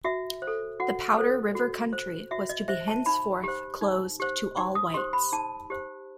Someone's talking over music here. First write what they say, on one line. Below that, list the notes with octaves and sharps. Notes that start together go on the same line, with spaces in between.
The Powder River Country was to be henceforth closed to all whites.
F#4 E5
C5
A4
F#4 F#5
A4 C5
F#4
C5
F#4 E5
D#5
C5 E5
A5
D#4 B5
G4 C5
D#4
G4 C5
D#4 C6
D#6
G4 C5 C6
B5
D#4 A5
G4 C5